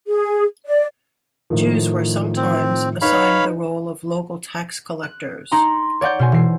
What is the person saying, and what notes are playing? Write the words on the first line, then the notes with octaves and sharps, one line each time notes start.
Jews were sometimes assigned the role of local tax collectors.
G#4
D5
A2 D#3 F3
C4
D#4 B4 C#5 F5 B5
F#6
D#4 A#5 C6
C#5 D5 F#5 G6
B2 C5 G#5
E3 C7